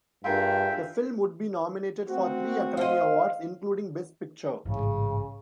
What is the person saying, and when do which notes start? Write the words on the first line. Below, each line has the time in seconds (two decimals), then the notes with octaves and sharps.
The film would be nominated for three Academy Awards, including Best Picture.
0.24 G2 F4 G#4 A#4 E5 G5
2.08 A3 C4 F#4
2.77 C5 D#5 F5
4.65 A1 G#2 C#3